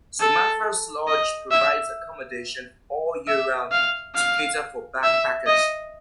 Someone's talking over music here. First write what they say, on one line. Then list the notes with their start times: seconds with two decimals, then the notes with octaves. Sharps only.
Maffra Lodge provides accommodation all year round to cater for backpackers.
0.20 A4
1.07 D#5
1.51 E5
3.28 E5
3.72 F5
4.15 F5
5.03 E5
5.47 D#5